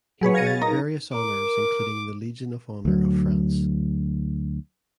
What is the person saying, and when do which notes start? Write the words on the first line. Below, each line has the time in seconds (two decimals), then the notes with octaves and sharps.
He earned various honors including the Legion of Honour of France.
0.21 F#3 G#4 B4 C#5
0.34 F5 G#6 A#6 C#7 D#7
0.47 A6
0.62 D#4 A#4 A#5
1.14 A#4 D6
2.85 D2 F#3